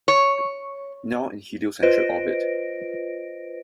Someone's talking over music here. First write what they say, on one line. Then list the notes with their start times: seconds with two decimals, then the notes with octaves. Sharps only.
Now in Heliocentric orbit.
0.08 C#5
1.83 F4 B4 C5 D#5 A#6 D7